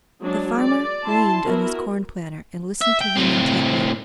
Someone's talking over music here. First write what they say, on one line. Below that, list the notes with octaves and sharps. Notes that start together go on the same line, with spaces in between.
The farmer leaned on his corn-planter and listened to him intently.
F#3 G#3 D4
D5
E4 A5 C6
B3 E4 F#4 A#4
E5
G5
A2 C4